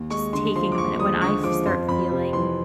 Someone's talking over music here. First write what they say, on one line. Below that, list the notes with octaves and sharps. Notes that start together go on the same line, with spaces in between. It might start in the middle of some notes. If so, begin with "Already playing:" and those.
just taking a minute. When I f- start feeling
Already playing: D#2
G#3 C#6
D3 C6
F3 C6
D6
D#2 C#6
G#3 D#6
D3 C#6
F3 D6
F2 C6
F2 B5
C3
E3 C6